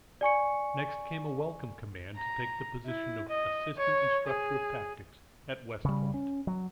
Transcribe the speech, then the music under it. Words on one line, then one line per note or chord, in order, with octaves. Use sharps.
Next came a welcome command to take the position of Assistant Instructor of Tactics, at West Point.
D5 G#5 C#6 C#7
A#5
E4
D#5
C#5
G#4
C#3 G3
C#4
F#3